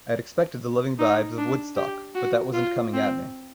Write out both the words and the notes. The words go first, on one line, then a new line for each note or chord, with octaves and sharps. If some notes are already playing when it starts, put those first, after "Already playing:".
I had expected the loving vibes of Woodstock but that wasn't coming at me.
D#4
D4
G4
F#4
F4
C4